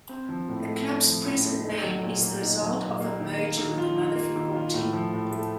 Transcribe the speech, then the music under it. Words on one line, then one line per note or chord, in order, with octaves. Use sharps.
The club's present name is the result of a merger with another football team.
C4
F3
A2
A3
C4
F3
A2
A3
D#4
F#3
A#2
A#3
D#4
F#3
A#2
A#3
D#3
A#3
D#3
F4
D#3
A#3
D#3
F4
A2
F3
A2
A3